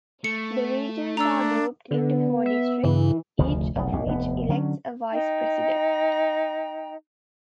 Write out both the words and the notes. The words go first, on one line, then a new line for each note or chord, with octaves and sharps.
The regions are grouped into four districts, each of which elects a vice-president.
A3 C#7
D4 A#5 E6
D3 B3
E5
G2 C#3 E3
F1 D2 C#3 F3
F1 B1
B1 E2 A2
F1 D#2 A#2 B3
D3 F#3 C#4
D#4 G5 A#5